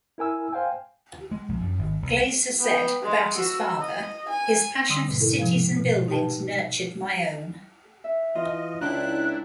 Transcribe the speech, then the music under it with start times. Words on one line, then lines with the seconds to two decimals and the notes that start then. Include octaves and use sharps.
Glaeser said, about his father, "His passion for cities and buildings nurtured my own".
0.18 E4 A#4 G#5 E6
0.52 C5 F5 G5 G#5
1.31 G#3
1.49 A#1
1.61 F#2
1.79 G#1
2.02 C2
2.60 B3 G5
3.02 G#3
3.36 F#4 E6
3.80 D#5
4.28 G#5
4.89 D3 G3 C6 D#6 E6
5.08 G#2 B2
5.20 E4 A4 A#4
5.39 C3 F3 G#3 F5
5.77 B2
6.08 D#4 G4 B4 G5 A5
8.04 E5
8.35 E3 F4 D#5
8.81 C#2 D4 E4 G5 A5 A#5 F#6